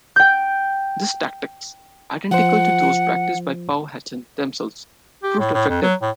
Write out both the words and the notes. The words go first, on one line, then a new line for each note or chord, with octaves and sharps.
These tactics, identical to those practiced by the Powhatan themselves, proved effective.
G5 G6
F3 F4 C5 F#5
G4
A2
A2
F2
F#3
A2